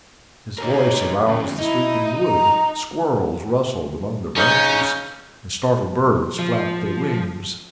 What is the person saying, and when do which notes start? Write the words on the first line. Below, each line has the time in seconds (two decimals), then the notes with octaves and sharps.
His voice aroused the sleeping wood; squirrels rustled among the branches, and startled birds flapped their wings.
0.58 D#4 G4 A#4 C#5
1.28 E2 C#3
1.58 D#4 E4
2.25 A#5
4.36 C#3 C#4 D#4 G6
6.39 F3